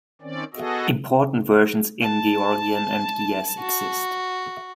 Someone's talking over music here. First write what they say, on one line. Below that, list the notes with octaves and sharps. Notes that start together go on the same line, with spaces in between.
Important versions in Georgian and Ge'ez exist.
D#3 C4 C#4 D5
B3 F#4 G#4 A4 D#5
A5
F#4